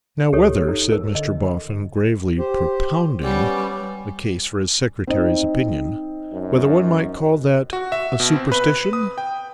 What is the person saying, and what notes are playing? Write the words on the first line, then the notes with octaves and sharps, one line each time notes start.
'Now, whether,' said Mr Boffin, gravely propounding a case for his Secretary's opinion; 'whether one might call that a superstition?'
C#2 G4 A4 C#5
D#4
A4 A#4
D3 D#5
G4 C5
G3 B3 C#4 D5
C4 D#4 D#5
F#2
F#4
E5
B2
C4
B4
D#6
G5